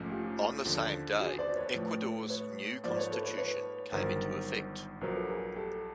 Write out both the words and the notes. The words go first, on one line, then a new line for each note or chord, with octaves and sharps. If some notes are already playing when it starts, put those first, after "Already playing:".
On the same day, Ecuador's new constitution came into effect.
Already playing: A#1 G#2 F3 A3 C#4
F4 G4
D#2 D3 F3
F#4 G#4
C5 D5
B4 C#5
A2 F3 A3
B4 C#5
G#2 F3 A#3 C5 D5
B4 C#5
A4 B4
B4 C#5
B4 C#5
G1 G2 D#3 F#3 A#4 C5
A#1 A#2 F#3 A#4 C5
A4 B4
G#4 A#4
G4 A4